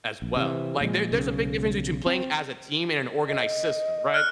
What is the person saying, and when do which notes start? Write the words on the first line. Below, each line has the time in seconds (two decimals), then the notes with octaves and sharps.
as well. Like, there there's a big difference between playing as a team in an organized system, right?
0.22 A#1
0.37 C3 E3
0.81 A#2 F3 G#3
1.12 B1 C#3
2.06 C4
3.28 D#5
4.14 F6 F#6